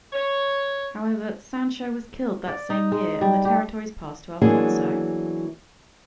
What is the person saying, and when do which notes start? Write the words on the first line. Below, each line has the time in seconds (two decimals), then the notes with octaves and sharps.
However, Sancho was killed that same year and the territories passed to Alfonso.
0.13 C#5
2.48 D5
2.70 D#4
2.92 G#3
3.21 G3
3.45 G4
4.42 E3 F#3 A#3 B3 D4 G#4